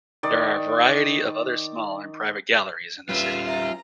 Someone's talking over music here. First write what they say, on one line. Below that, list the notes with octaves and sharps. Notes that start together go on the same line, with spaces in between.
There are a variety of other small and private galleries in the city.
D#3 D5
G3 C#4 F4 B4 E5
E5 A#5